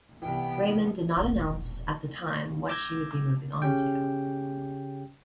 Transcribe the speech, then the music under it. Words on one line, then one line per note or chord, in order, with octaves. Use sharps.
Raymond did not announce at the time what she would be moving on to.
C2 E3 B3 G5
E1 A#1
D6 E6 G6 G#6 A#6
C#3 C#4 G4 G5